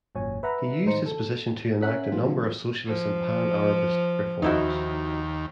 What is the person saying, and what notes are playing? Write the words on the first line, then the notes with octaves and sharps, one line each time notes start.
He used his position to enact a number of socialist and Pan-Arabist reforms.
G#1 F#2 A#2 C#5 G#5
B4 E5 F#5 A#5 B5
A2 D#3 D#4 C5 A#5 C#7
A4
C#4 A#4 E5 F#5 F#6 B6
A#2 E3 F#3 B3 F4
F3
D#2 D#4 E4 F#4